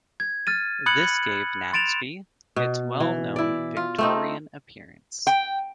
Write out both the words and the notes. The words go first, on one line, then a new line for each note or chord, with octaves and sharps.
This gave Naseby its well-known Victorian appearance.
G#6
F6 A6 D#7
B5 D#6 F#6 G#6 C#7 F#7
C6 A6 D7 E7 F7
B2
E3
E4 D5
F4
A3 C4 D#4
G5